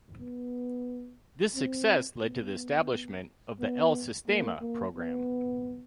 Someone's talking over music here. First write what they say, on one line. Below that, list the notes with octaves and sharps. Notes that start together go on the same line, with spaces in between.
This success led to the establishment of the El Sistema programme.
B3
C4
B3
B3
A#3
A#3
B3